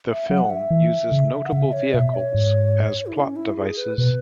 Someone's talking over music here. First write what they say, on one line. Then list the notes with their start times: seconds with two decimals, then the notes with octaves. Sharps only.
The film uses notable vehicles as plot devices.
0.10 E5
0.30 F#3 F#5
0.50 E5
0.70 E3
1.12 C#3
1.45 F#5
1.52 C#3 E5
1.72 C#5
1.93 B2 E5
2.14 C#5
2.34 G#2
3.06 E4
3.16 C#4
3.36 E4
3.57 G#4
3.77 B4
3.98 B2 B4